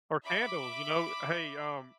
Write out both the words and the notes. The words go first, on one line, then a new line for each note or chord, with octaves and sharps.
Or candles, you know, "Uh, hey, um,
E5 B5 D6